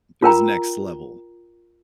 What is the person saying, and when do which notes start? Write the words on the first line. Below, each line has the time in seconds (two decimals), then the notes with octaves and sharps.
it was next level,
0.23 F4 A#4 G5 A#5